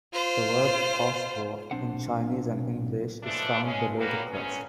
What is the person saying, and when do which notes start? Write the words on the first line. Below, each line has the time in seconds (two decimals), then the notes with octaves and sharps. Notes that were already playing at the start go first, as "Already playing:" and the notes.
The word "Passport" in Chinese and English is found below the crest.
0.13 F4 C5
1.71 B1 E3 C4 D4 C5 F#5
3.24 E3 F3 G#3 A3 D4
3.64 G#3 C#4
3.98 G3 A#3 C#4 F#4 A#4 B4
4.31 F#2 C#3 C4 C#4